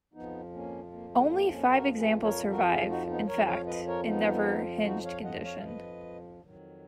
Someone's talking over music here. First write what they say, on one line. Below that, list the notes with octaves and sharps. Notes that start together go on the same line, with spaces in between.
Only five examples survive, in fact, in never hinged condition.
F2 F3 B3 D#4
A#3 C#4
A#3
G#3
A#3
A#3 C#4
F#4 A#4
G#4 B4
A#4 C#5
F#4 A#4
F4 G#4
D#4 F#4
B3 D#4
F2 F3 A#4 C#5
C#5 F5
B4 D#5
A#4 C#5
B3 D#4
D#4 F#4
C#5 F5
D#5 F#5
C#5 F5
F5
B4 D#5
F2 D#3 F#3